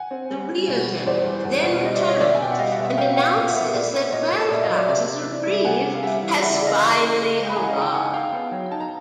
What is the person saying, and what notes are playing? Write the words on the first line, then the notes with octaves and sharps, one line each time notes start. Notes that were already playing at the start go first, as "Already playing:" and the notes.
The real Leonard then returns and announces that Fairfax's reprieve has finally arrived.
Already playing: F#5 G#5
C4
G3
G3
B2
G3
E2 C5 D5
G3
E2
B2
G3 D#5
D5 E5
B2
C#5 D#5
B2 D5 E5
G#5
B2 G5
F#5
G3 D#5 F5
E5 F#5
B2
E5 F#5
B2 F5 G5
B3 F5 G5
A#2 F5 G5
E5 F#5
B3
E5 F#5
A#2 D5 E5
B3
A#2 C#5 D#5
A#2
A#2 D5 E5
D#5 F5
F#3
D5 E5
C3 D5 E5
C3
E3
G3
C3 F#5 G#5
G3
F5
G3 E5 F#5
E3
C#3 E5 F#5
D5 E5
C#3
D#5 F5
E3
C#3
C#3
G#3
B5
E3 G#5 A#5
F#5
D#5 F5
C#3 A#5
G5 A5
D#4 F#5 G#5
D#4 F5 G5
B3
F#3
D#4 A5
A#5